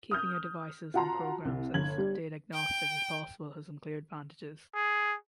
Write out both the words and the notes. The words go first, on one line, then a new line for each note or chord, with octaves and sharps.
Keeping your devices and programs as data agnostic as possible has some clear advantages.
D#6 F6 G6
F4 F#4 F#5 A5 A#5 C6
C2
G1 G#6 F#7
G3
G5
G#4